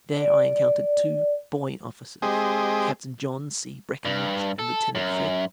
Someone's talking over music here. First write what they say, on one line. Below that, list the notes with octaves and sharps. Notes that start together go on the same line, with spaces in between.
There I encountered two "boy officers," Captain John C. Breckenridge and Lieutenant Fred.
D5
G#3 C4 G4 G#4 D#5
G2
A4
F#2